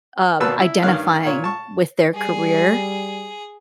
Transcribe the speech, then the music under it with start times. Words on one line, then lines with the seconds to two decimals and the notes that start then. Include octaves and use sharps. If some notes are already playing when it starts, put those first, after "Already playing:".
um, identifying with their career
0.40 G#1 B2 A#3 B4 A5 E6
0.60 E4
0.82 G2 D#3 C#5 F5 F#6
1.25 A#2 C#5
1.44 A5 C#6
2.15 G3 G#4